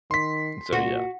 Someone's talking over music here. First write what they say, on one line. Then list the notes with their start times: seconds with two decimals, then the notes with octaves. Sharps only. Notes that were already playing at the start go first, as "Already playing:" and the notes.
so, yeah,
0.11 D#3 C6 B6
0.73 A#2 F#4